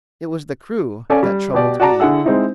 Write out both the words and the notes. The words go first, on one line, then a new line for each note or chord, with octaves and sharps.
It was the crew that troubled me.
C#4 A4 D5 F5 G#5
G3
B2 G4 D5
F#4 D5 A5 A#5
D3 E4 G#4 F#5 E6
G#3 C4 D#4 E4